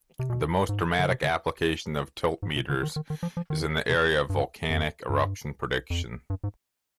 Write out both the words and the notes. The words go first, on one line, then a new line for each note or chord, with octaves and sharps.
The most dramatic application of tiltmeters is in the area of volcanic eruption prediction.
C3
B2
G#2
D3
C3
D3
G#2
C3
D3
D#3
D#3
D#3
F3
F3
D#3
C3
G2
F2
G2
F2
G2
G#2